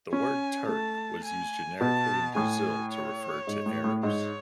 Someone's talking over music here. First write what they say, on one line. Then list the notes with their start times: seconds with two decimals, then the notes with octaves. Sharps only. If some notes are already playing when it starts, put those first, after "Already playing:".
The word "Turk" was used generically in Brazil to refer to Arabs.
0.13 C#4 G#5
0.68 A3 A5
1.24 G#5
1.80 B2 A5
2.35 A2 G#5
2.92 C#5
3.47 G#2
3.66 A2
3.84 A2
4.03 G#2 C#5